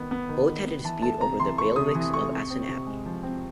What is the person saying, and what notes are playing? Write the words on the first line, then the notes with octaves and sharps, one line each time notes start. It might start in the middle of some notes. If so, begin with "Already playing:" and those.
Both had a dispute over the bailiwicks of Essen Abbey.
Already playing: D#3 B3
B3
D#3
D#3
B3
E3 A5
A3 A5
C3 A#5
E3 C6
A3 C#6
C3 D#6
E3
A3 C#6
C3
C4
C3
G#3
F3
C4